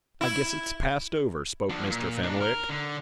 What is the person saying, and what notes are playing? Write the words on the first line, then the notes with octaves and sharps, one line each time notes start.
"I guess it's passed over," spoke Mr. Fenwick.
E4
F3 D4
A#2
D4 D#4
A#4
D3